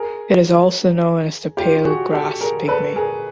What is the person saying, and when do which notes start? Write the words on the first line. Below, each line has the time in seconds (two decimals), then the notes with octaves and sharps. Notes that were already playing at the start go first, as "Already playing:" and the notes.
It is also known as the pale grass pygmy.
Already playing: G#4 A#4
1.57 F4 G4
1.85 F#4 G#4
2.12 G4 A4
2.41 G#4 A#4
2.68 A4 B4
2.96 G#4 A#4